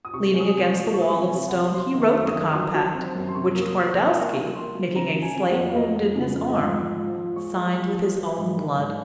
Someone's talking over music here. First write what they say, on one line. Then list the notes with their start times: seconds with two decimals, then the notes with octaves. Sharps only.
Leaning against the wall of stone he wrote the compact, which Twardowski, making a slight wound in his arm, signed with his own blood.
0.05 D#6
0.14 C3 C#6
0.34 G#3
0.40 D#6
0.54 C3
0.67 C#6
0.74 F3
0.94 G#3 C#6
1.01 D#6
1.08 C#6
1.14 C3
1.20 G#5
1.35 C3
1.48 F#5
1.54 F3
1.74 F#3 C6
1.95 D#3
2.01 C#6
2.14 F#2
2.28 D#6
2.35 D#3
2.55 F#3
2.74 F#3
2.95 C4
3.15 F#2
3.28 C6
3.35 C3 C#6
3.55 A#3
3.62 D#6
3.74 A#3
3.88 C#6
3.95 C3
4.06 C#6
4.15 A#3 C6
4.35 A#3
4.55 A#3 C6
4.75 F#3
4.96 C#3 A#5
5.15 F#3
5.23 G#5
5.36 C4
5.49 F#5
5.56 F2
5.70 F5
5.76 F#3 D#5
5.96 F2
6.16 C#3
6.36 F2
6.49 D#5
6.56 G#2 F5
6.76 F3
6.96 F3
7.16 F3
7.36 G#3 C#6
7.57 G#3
7.77 F3
7.97 F3
8.17 F#3
8.37 G#2
8.56 D#3
8.76 G#2